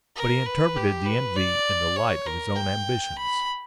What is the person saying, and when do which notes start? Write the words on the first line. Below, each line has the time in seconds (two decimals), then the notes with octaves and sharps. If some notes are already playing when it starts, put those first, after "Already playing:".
But he interpreted the envy in the light of his own ambitions.
0.16 A#4
0.46 B4
0.76 G4
1.06 B4
1.36 D5
1.96 C#5
2.26 A#4
2.56 G5
3.16 B5